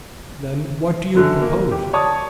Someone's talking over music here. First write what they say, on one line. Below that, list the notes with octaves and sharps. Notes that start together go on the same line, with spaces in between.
"Then what do you propose?"
F#2 D3 F#3
A#3
G4
C#5 D5 A5 C#6 D#6